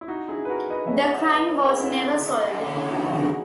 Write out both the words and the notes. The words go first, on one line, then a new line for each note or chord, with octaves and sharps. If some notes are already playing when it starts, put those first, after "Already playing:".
The crime was never solved.
E4
D#4 F#4
E4 G#4
B4
F#4 A#4
B4 D#5
C#5 E5
D#5 F#5
C#5 E5
B4 D#5
A#4 C#5
G#4 B4
C#4 E4
A#3 C#4
C#4 E4
D#4 F#4
D#4 F#4
G#4
D#4 F#4